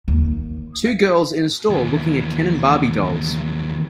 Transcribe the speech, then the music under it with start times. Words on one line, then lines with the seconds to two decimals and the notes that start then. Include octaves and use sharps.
Two girls in a store looking at Ken and Barbie dolls.
0.08 D#2
1.70 D#2 E3